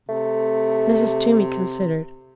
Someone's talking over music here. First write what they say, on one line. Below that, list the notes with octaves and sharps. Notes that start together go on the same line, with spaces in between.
Mrs. Toomey considered.
C3 A3